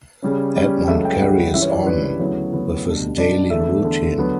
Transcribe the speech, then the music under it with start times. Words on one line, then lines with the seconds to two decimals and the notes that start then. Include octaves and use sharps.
Edmond carries on with his daily routine.
0.22 C#3 G3 C#4
0.55 C#3 G3 C#4
0.88 C#2 C#3 F#3 A3 E5
1.05 G5
1.21 C#2 C#3 F#3 A3 F#5
1.54 G2 E3 G3 C#4 E4 E5
1.62 C#5
1.70 D5
1.86 G2 E3 G3 C#4 E4 B4
2.03 B4
2.19 D2 C#3 F#3 B3 E4 C#5
2.52 D2 C#3 F#3 B3 E4
2.85 B2 G3 D4
3.18 B2 G3 D4 D5
3.50 E2 D3 A3 E5
3.84 E2 D3 A3
4.18 D3 F#3 B3